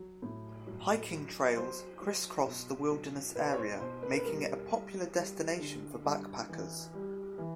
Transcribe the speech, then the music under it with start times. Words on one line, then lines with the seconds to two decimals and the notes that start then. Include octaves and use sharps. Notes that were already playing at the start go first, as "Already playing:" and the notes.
Hiking trails crisscross the wilderness area, making it a popular destination for backpackers.
Already playing: F#3
0.22 A2
0.67 F#3
1.12 F#3
1.56 F#3 C5
2.01 F#3
2.46 B2
2.91 F#3
3.35 B2 B4
3.53 C#5
3.58 C5
3.80 B2 C5
4.03 B4
4.10 A#4
4.17 B4
4.24 G3 A#4
4.69 G3
5.14 G3
5.59 D3
6.04 G2
6.49 E3
6.93 G3
7.38 E3